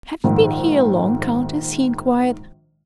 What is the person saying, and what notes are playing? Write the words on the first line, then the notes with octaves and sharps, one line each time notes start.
"Have you been here long, Countess?" he inquired.
A#1 G#2 D#3